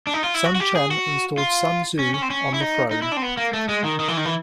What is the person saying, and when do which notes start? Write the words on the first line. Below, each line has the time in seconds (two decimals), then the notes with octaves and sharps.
Sun Chen installed Sun Xiu on the throne.
0.07 D4
0.14 D#4
0.24 F4
0.34 E4
0.44 F#4
0.55 F#4
0.60 G4
0.75 G#4
0.91 F#4
1.38 F4
1.99 C#4
2.14 C#4
2.22 C4
2.30 C#4
2.54 E4
2.60 D#4
2.91 D#4
3.02 E4
3.12 D4
3.17 C4
3.22 B3
3.37 A#3
3.53 A3
3.69 G#3
3.84 D#3
4.00 D#3
4.08 E3
4.17 D#3
4.25 E3